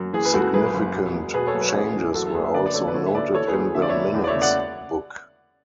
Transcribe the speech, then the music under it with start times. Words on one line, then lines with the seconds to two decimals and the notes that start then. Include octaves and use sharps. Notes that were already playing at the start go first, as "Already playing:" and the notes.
Significant changes were also noted in the minutes book.
Already playing: F#2
0.13 E3 G#4
0.25 B4
0.33 C#2 F#4 A4
0.53 F#1 G#4 B4
0.74 F#1
0.94 B2
1.14 E1
1.34 B2 G#4 B4
1.47 A4 C#5
1.54 B1
1.60 B4
1.69 C#5
1.73 A1 G#4 B4
1.94 E3
2.14 F#1 F#4 A4
2.25 A4
2.34 F#1 G#4 B4
2.44 E5
2.54 D3 B4 D5
2.66 D5
2.74 D2 A4 C#5
2.88 B4
2.94 D3 A4 C#5
3.06 E5
3.14 D2 B4 D5
3.34 E3 A4 C#5
3.47 G#4 B4
3.55 D2
3.61 G#4
3.75 D3 E5
3.82 D5
3.89 C#5 E5
3.95 E1
4.14 E2
4.24 D5
4.28 C#5 E5
4.35 C#3
4.42 D5 F#5